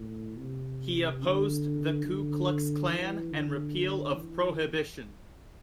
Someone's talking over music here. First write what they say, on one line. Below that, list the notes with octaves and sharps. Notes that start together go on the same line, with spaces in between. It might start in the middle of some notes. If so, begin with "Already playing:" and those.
He opposed the Ku Klux Klan and repeal of Prohibition.
Already playing: A2
C3
D3
D3
E3
D3
E3